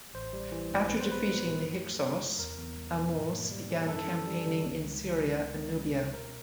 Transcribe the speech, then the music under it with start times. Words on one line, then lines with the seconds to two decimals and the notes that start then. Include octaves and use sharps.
After defeating the Hyksos, Ahmose began campaigning in Syria and Nubia.
0.14 A1 C5
0.33 G3
0.52 E3
0.71 G2
0.89 A#1 B4
1.00 C5
1.08 B3 B4
1.27 G3
1.45 A#2
1.64 F#2
1.82 A3
2.01 F#3
2.21 C#3
2.39 E2 A#4
2.58 E2
2.77 G3
2.96 B2
3.15 G#2
3.33 A#3
3.51 G3
3.70 E3
3.89 F#2 A4
4.07 C4
4.27 G3
4.46 D3
4.63 C#2
4.83 C#2
5.01 E3
5.20 C3
5.38 C#2
5.58 C#2
5.76 G3
5.94 B2
6.14 B2 A#4